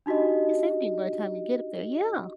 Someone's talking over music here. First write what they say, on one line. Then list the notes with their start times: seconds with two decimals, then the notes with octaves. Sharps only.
It's empty by time you get up there. Yeah.
0.06 D4 D#4 F#4 G4 D#5